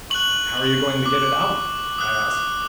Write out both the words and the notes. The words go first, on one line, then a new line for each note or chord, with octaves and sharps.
"How are you going to get it out?" I asked.
C#6 F#6 F#7
F#7
D6 F#6
D#6 F#6